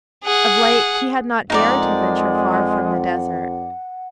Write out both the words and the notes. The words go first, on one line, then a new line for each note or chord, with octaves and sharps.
Of late he had not dared to venture far from the desert.
G#4 F#5
F2 G#3 D#4 A#4 D5 F#5